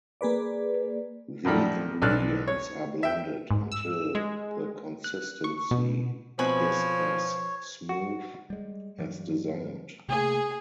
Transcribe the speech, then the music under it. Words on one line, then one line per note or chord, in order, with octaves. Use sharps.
The ingredients are blended until the consistency is as smooth as desired.
A#3 G#4 B4 D5
F#2 A#2 F3 G3 A3
B1 A4 D5 A5 F6 F#6
C#5
E5 G5
G#2
E6
G#3
F#6
C#6
B2
B2 F3 C4 B4 C#5 G#5 B5
F#4
G3 G#3
G2 E3 F#3
C3 A3 A#3 G#4